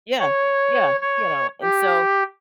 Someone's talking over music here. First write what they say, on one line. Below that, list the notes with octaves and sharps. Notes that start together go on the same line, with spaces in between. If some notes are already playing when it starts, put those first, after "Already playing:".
Yeah, yeah, you know? And so,
C#5
C#5
G4